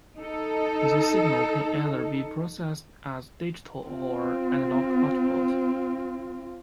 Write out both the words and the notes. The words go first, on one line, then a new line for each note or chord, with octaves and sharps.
The signal can either be processed as digital or analog output.
D#4 A4
C4 F4